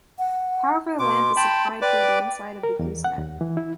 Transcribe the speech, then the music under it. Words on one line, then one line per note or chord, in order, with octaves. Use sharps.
Power for the lamp is supplied through the inside of the gooseneck.
F#5
B2 C6 D6
G5 A5 B5
B4 D5 G5 D6
A#4
E2
F#5
D#2
E3
E4